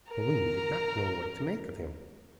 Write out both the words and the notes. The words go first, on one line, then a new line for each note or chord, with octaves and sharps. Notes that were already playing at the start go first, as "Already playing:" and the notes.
Toline did not know what to make of him.
A#4 A#5